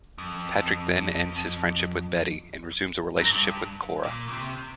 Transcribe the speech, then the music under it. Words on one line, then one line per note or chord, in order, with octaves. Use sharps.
Patrick then ends his friendship with Betty and resumes a relationship with Cora.
F2
F#2
G2
A#2
B2
C3